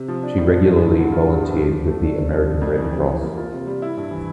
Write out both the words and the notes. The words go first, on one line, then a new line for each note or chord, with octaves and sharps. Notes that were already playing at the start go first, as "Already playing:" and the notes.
She regularly volunteered with the American Red Cross.
Already playing: C3
F3
D4
A2
F3
E4
G2
D3
F4
G2
F3
G4
F3
A3
D4
C3
F3
D4
F2
E3
G4
E3
A#3
F4
C3
G3
E4
G2
E3